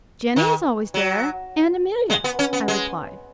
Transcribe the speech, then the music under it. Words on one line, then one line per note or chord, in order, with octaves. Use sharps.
"Jenny is always there, and Amelia," I replied.
D#3
F#3
G#3
B3
C#4
B3
G#3